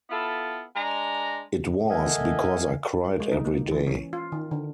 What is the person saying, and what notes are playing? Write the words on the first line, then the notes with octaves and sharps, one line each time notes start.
It was because I cried every day.
B3 E4 F4 A4
G#3 D4 A#5
A4 A#4 D#5 E5 F#5 G#5
G#3
D#4
A#3
E3
C#4
F4
D#3
D3